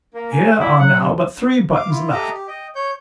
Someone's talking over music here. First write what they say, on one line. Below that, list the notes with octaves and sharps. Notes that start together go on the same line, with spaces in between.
Here are now but three buttons left.
A#3 A#4
G#5
E4 D5
F#3 F#5
C3
F5 D6
E4 F4
G4 A4 D#5 E5 A#5 D6
G4
D#5 G5
C#5 G6